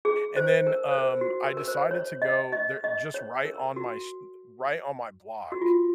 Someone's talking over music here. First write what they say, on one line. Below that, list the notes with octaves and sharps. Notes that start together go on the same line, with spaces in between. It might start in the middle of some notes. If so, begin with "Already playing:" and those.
and then, um, I decided to go there just right on my s right on my block,
G#4
C5
A#4
C5
A#4
F#4
A#4
A#4
C5
C#5
D#5
D#5
D#5
C#5
A#4
F#4
F#4
F4